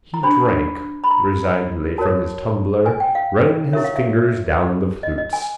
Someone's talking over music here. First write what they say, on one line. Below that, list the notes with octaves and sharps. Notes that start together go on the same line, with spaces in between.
He drank resignedly from his tumbler, running his fingers down the flutes.
A#5
D4 G4 C5 B5
B5
A#5
F#4 A#4 C#5 A5
G#5
G5
F5
E4 G4 A#4 C#5 E5
F5
E5
D#5
D#5
G#5